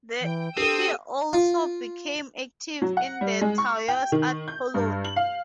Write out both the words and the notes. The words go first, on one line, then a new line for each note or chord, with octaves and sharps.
He also became active in the Taos art colony.
E3 G5
C4 D4 G4 A4 D#6 E6
F4
F#3
F#5
G3
G#3
C#6
G5
D#3
G6
G2
F#7
F5